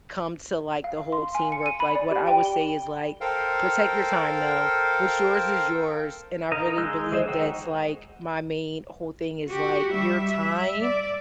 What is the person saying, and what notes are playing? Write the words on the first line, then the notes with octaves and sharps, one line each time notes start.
Come to, like, the whole teamwork, like, what I would say is, like, "Protect your time, though. What's yours is yours." And I really believe that's, like, my main whole thing is, like, your time
F5
C6
G#5
C#7
D#7
B5
D5
G4
G5
G7
A4 A#4 C5 F5 G5
D#4 A#4 D#5 F5
G#3 E6 F#6 G6
E3 G#4 C5 D#5
D#4 F#4 F#5 G5
F#4 G4
G3 E5
E5
D5